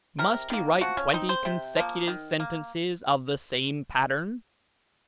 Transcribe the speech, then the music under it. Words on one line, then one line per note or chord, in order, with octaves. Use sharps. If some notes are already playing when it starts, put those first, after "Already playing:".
Must he write twenty consecutive sentences of the same pattern?
C3 A#4
D#3 A#3
F3 F#4
C#4
C4 D#4
C5
C3
F3 A#3
D#3
A#3